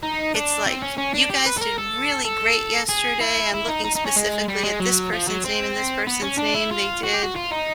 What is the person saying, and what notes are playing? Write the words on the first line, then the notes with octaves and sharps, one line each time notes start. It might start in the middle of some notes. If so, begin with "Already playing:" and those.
it's like, "You guys did really great yesterday. I'm looking specifically at this person's name and this person's name. They did,
D#4
D4
C4
C#4
C#4
D4
G4
B4
A4
A#4
A4
A4
G#4
E4
E4
D#4
D#4
D#4
C#4
G#3
G3
G#3
F#3
F3
F#3
C4
B3
C#4
D4
E4
F4
F#4
G4
F#4
F4
D#4